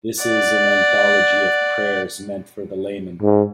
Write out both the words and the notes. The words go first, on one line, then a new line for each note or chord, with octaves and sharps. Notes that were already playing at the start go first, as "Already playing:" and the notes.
This is an anthology of prayers meant for the layman.
D5 F#5
G#2